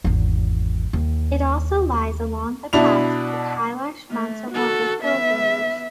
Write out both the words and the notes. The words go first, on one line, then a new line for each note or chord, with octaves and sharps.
It also lies along the path to Kailash-Mansarovar pilgrimage.
G#1 E2
D#2
B2 D4 E4 F7
A3
F#4 A4
B3 E5